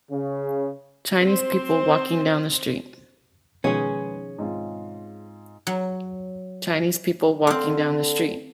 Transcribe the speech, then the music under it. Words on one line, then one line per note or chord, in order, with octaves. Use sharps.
Chinese people walking down a street.
C#3
C4 C5
B2 D#3 F3 G#3 B3 C#4 G#4
G#2 C4 F4
F#3
D3 C4 F5